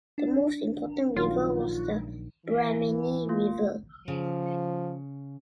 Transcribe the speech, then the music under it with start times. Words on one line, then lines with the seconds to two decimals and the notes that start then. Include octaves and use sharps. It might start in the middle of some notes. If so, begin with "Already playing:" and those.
The most important river was the Brahmani River.
0.18 D4
1.16 A#1 D#3 F#3 F4
2.46 E3
3.29 A#3 F4
4.08 C#3 F3